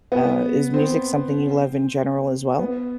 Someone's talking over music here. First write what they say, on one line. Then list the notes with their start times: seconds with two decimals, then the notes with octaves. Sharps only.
uh, is music something you love in general as well?
0.12 B3
0.74 C4
2.59 B3